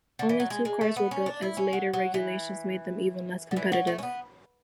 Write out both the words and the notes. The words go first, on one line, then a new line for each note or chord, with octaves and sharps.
Only two cars were built, as later regulations made them even less competitive.
D3
E3
F#3
G#3
G#3
A3
B3
C#4
D4
E4
C#4
F#3
F#3
E3
D3
E3
F#3
A3
C#4
B3